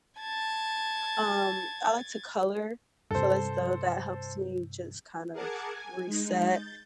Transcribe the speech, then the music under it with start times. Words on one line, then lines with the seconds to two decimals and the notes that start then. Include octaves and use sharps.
Um, I like to color, feel as though that helps me just kind of reset.
0.18 A5 G#6 A6
3.11 G2 C3 A4 C5
5.33 G#4 A#4 F#5 A5 D6 G#6
5.73 G#5
6.06 G#3 D#4
6.47 G6 A6